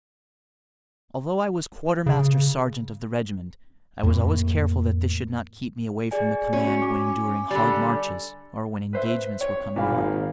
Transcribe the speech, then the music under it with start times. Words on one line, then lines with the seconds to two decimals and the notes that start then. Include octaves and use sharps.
Although I was quartermaster sergeant of the regiment, I was always careful that this should not keep me away from the command when enduring hard marches or when engagements were coming on.
2.06 C#3
4.03 F2 A2 A#3
6.11 G#4 D5 G#5
6.53 C#4 F#4
6.82 G#5 D6
7.51 D3 G3
8.93 B4 C5 E5
9.41 C#5
9.76 G#1 A#2 F5 B5